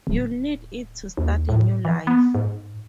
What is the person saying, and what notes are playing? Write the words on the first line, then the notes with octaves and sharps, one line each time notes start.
You'll need it to start a new life.
D1
D#2
A2
E3
B3
G#2